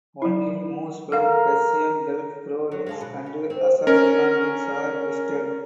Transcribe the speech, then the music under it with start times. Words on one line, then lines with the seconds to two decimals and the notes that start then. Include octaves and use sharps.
Only moves from Persian Gulf Pro League and Azadegan League are listed.
0.22 F#3 E4
1.12 A4 A#4 F5
2.72 F#3
2.87 G#3 F4 A4
3.01 B2
3.26 C#4
3.50 C4
3.87 C#4 A#4